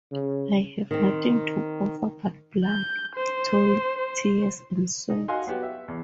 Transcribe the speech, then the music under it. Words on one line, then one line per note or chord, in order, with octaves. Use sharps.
I have nothing to offer but blood, toil, tears and sweat.
C#3
D#3 C4
G6
C5
C5
D#4
F#4 D#5 F5 F#5 G#5 C6
F#3 B3 F#4 G4
E5
E2